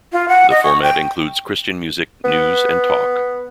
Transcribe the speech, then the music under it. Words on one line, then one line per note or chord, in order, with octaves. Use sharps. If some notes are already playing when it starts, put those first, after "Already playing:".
The format includes Christian music, news and talk.
F4
F#5
D#5
C#6
G5
B3